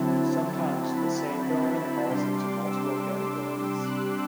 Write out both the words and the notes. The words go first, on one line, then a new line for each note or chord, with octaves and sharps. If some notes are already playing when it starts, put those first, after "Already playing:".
Sometimes the same building falls into multiple categories.
Already playing: D3 F#3 C4 E4 A5
B5
C3 G3 D4 C6
D6
E6
F#6